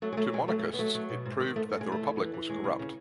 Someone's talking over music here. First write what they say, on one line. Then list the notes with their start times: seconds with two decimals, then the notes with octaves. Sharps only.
To monarchists it proved that the republic was corrupt.
0.02 F#3 A3
0.13 G#3
0.17 F#3 A3
0.33 B2 G#3
0.48 F#3 A3
0.59 A3
0.64 D#2 G#3
0.73 B3
0.79 F#3 A3
0.95 F#3
1.09 B2
1.25 G#2
1.40 D#3
1.56 G#2 A3
1.72 G#2 A3
1.81 G#3
1.87 E2 A3
2.02 E2
2.18 E3
2.34 E3
2.49 D#2 G#3
2.64 C#3
2.79 C#3